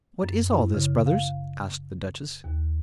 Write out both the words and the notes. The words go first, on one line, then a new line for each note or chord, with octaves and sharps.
"What is all this, brothers?" asked the duchess.
F#2
E4
C#3
F5
D#2